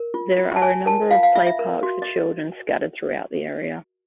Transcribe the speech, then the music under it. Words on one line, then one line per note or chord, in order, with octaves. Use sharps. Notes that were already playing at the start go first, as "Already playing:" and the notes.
There are a number of play parks for children scattered throughout the area.
Already playing: A#4
F4
F4
A5
C#5 G#5
A#4 A5
F4 F5
F5
F4 E5
E5
A#4
F#4
D#5